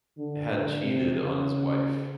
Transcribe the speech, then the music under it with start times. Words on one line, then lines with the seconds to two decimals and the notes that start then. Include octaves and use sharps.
had cheated on his wife.
0.18 D3
0.51 D3
0.83 C3
1.16 C#3